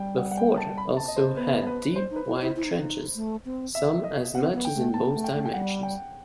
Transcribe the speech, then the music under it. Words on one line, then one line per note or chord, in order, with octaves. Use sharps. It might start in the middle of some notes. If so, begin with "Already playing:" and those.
The fort also had deep wide trenches, some as much as in both dimensions.
Already playing: G3 G5
F#5
F#5
G5
A5
B5
A5
D#5
C5
B3 B4
B4
G3 C5
D#4
B4
E4
E4 C5
E4
D#4
C4
D#4
A3
C4
E5
D#5
C4 F#5
B3
G5
A3
B3 A5
A3
G5
A3
G5
G3 F#5
G5